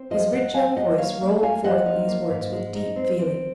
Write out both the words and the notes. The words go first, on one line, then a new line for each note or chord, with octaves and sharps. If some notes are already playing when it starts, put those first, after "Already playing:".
His rich young voice rolled forth these words with deep feeling.
Already playing: C4
F3 C5 D#5
A#2 D#5 F#5
C4 F5 G#5
D#4 D#5 F#5
A#3 C#5 F5
A#3
A#3 F5 G#5
F3 D#5 F#5
D#4
A#3
G#2
G#3
D#4
C4
C4